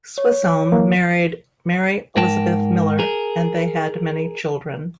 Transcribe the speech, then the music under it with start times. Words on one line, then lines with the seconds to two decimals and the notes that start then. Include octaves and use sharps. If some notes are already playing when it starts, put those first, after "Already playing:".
Swisshelm married Mary Elizabeth Miller, and they had many children.
0.18 C#5
0.72 E3 A#3
2.17 G#2 A#4 G5 A5
2.99 G#4 A#4